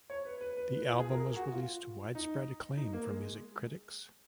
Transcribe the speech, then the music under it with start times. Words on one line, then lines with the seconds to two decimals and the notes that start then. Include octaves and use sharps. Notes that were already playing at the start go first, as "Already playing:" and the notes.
The album was released to widespread acclaim from music critics.
0.10 C#5
0.25 B4
0.41 B4
0.57 B4
0.73 B4
0.89 F4
0.99 G#4
1.10 A#4
1.19 G#4
1.35 F#4
1.52 F4
2.15 D#4
2.77 D#4
2.93 A#3
3.09 G#3